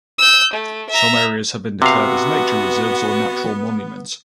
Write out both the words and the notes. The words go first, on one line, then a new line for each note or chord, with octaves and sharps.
Some areas have been declared as nature reserves or natural monuments.
E6 G6
A3
E5 A#5
C3 B3 F#4 F5